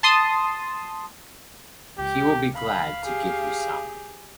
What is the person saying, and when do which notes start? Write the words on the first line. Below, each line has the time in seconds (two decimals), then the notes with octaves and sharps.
He will be glad to give you some.
0.03 A5 C6 D#6
1.98 C#2 G4
2.56 F5 B5
3.05 G4 G#4